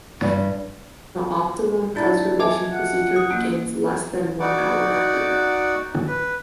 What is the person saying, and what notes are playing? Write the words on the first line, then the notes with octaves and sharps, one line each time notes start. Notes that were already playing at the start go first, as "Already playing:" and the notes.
The optimum preservation procedure begins less than one hour after death.
G2
D4 E4 F4 A6
D#5 E5 G#5 A5 D6
F#5
D#6
A#3 C#4 D7
D#4 F#4 D5 F#5 D6
B4